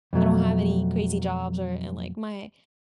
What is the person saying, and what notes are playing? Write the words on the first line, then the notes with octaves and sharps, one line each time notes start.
I don't have any crazy jobs or and, like, my
F2 B2 F#3 A3